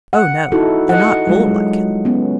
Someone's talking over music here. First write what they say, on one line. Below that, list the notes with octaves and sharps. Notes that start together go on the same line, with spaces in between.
"Oh no; they're not all like him."
F#5
D#4 E4 F#4 A4
D#5 F#5
F#3 G#3 F4
B3 C#4